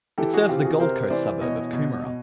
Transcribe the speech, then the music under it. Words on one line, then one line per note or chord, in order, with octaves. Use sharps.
It serves the Gold Coast suburb of Coomera.
E3 G4 A4
F#4 G#4
C3 F4 G4
G4
F#4 G#4
C3 A#4 C5
E3 C5 D5
B2 C#5 D#5
B2
B2